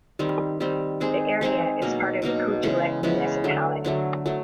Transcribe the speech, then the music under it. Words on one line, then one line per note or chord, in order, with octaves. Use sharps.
The area is part of the Kujalleq municipality.
D#3 G3 C4
D#3 G3 C4
G#3 C4 D#4 G#4
G#3 C4 D#4 G#4
B2 F#3 A#3 D#4
B2 F#3 A#3 D#4
C#3 E3 G#3 B3
C#3 E3 G#3 B3
D3 F#3 A3
D3 F#3 A3
F#3 A3